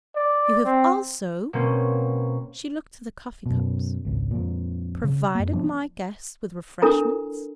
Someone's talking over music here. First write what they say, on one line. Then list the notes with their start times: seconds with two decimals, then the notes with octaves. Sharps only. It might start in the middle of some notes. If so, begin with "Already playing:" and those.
You have also"--she looked at the coffee-cups--"provided my guests with refreshment.
0.15 D5
0.65 C4
1.53 B2 A#3 C4 C#4
3.46 F#2 B2
4.05 G#1 C#2
4.31 F2 A#2
5.04 C#3
5.35 F#2 A#3
5.53 F3 G3 B3 D4
6.82 D4 E4 A4 A#4 A#5